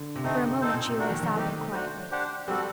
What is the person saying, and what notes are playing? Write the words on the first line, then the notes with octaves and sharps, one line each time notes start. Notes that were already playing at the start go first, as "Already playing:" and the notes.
For a moment she lay sobbing quietly.
Already playing: D3
C3
D3 A3 C4 D#4
C4 D#4 A4 C5
A#2
C3
D4 F#4 A#4
D#3
D#3
A3 C4 D#4 G4
D4 F#4 C5
D4 G4 C5 F#5
G3 C4 F#4 A4